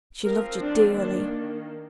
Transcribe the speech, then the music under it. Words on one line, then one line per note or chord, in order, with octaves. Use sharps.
She loved yo' dearly.
F3 C4 A#4
D4
D#3 A#3 D4